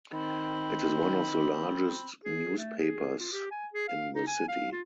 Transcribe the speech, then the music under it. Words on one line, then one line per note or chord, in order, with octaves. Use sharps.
It is one of the largest newspapers in the city.
D#3 C4 B5
G#4
A3
G#4
F4
G4
G#5
G#4
F5
D#4
G#5
F5
F4